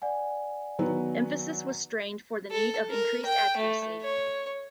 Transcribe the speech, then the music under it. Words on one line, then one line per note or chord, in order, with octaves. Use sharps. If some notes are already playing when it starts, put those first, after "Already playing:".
Emphasis was strained for the need of increased accuracy.
D5 F#5 G#5
D#3 F#3 B3
A4
A#4
G5
A3
C#5